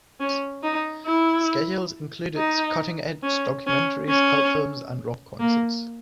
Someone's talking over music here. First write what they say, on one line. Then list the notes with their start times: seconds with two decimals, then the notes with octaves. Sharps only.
Schedules included cutting-edge documentaries, cult films, and rock concerts.
0.20 C#4
0.63 D#4
1.06 E4
2.37 D#4
3.23 C#4
3.67 C#4
4.09 C#4
5.40 A#3